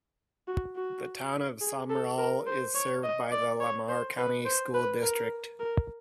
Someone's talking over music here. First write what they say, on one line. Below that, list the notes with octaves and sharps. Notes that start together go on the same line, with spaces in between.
The Town of Sumrall is served by the Lamar County School District.
F#4
F#4
G#4
A4
A#4
C5
C#5
D#5
D5
C#5
C5
B4
C5
B4
A#4
A#4